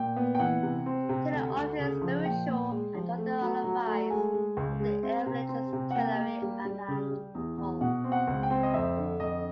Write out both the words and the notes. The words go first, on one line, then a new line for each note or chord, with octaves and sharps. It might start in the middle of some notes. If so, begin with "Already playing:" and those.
Taylor obtained spiritual and other advice from the evangelist Kilari Anand Paul.
Already playing: A#2 G5
B3
G5
E3 F#5
C3
C4
C3
D2
D2
C#3
F3
A#2 G5
A#2
G#3
F3
A3
F#3
F#3
A3
G#3 G#5
G#3
C#2
G#3
C4
C3
C4
C3
F#5
A#3 G5
A#3
G3
G3
C#3
G3
E2
E2
B2 F#5
C4
F#5
C#2
G5
C4
D#5
F2 E5
D3
F2 D#5